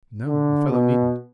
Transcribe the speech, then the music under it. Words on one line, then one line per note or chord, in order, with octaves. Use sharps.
"No, the fellow needn't."
D3
B2